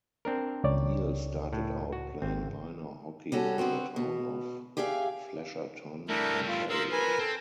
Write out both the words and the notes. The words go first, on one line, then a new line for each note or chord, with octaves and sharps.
Neil started out playing minor hockey in the town of Flesherton, Ontario.
C4 D4 A#4
C#2 C#5 D5
A2
F#4
G#1 C4
G3 C#4 F#4 A4
D3 B3 C4 F#4
B2
G4 G#4 D5 E5 F5
G3 A3 D4 E4 A#4
F4
F3 A#4 C6 E6
A#4 B4 G#5
C4 A4